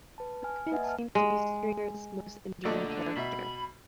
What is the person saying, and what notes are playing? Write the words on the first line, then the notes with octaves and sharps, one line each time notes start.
Brickman seems to be Stringer's most enduring character.
B4 A5
G#5 F6
A#3 B4 D#5 E5 F#5 G#5
A5 F6
G#3
A#1 D3 A3 D5 D#5
B2 E5 B5